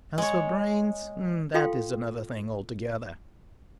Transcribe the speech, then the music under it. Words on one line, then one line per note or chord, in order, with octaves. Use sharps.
As for brains, that is another thing altogether.
G#3 C#5
F4 A4 F5 G5 C6